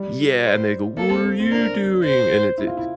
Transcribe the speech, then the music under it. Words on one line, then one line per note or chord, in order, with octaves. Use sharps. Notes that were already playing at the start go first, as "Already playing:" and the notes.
Yeah, and they go, "What are you doing?" and it's a y
Already playing: G3
C5
A#3 A4
C4
C4
C4
D4 A#4
C5
E4
F4
E4